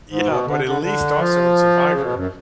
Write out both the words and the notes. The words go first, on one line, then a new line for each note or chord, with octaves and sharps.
Yeah, but at least also in survivor,
G#2
B2
D3
D3
D3
F3
C#3
B2
F#2